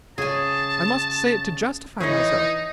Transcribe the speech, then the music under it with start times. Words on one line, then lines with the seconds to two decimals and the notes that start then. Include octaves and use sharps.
I must say it to justify myself.
0.18 C#3 G#4 G#5 A5
2.00 E3 D#4 G#4 C#5 D#5